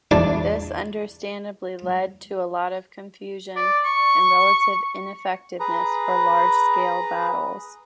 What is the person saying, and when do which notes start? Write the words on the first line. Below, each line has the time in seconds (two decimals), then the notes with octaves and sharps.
This understandably led to a lot of confusion and relative ineffectiveness for large-scale battles.
0.11 E2 D4 D5
3.56 D5
3.85 C#6
5.60 G#4 B4 A#5